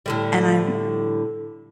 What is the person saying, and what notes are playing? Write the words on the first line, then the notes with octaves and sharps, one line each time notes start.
and I'm
A2 D3 G3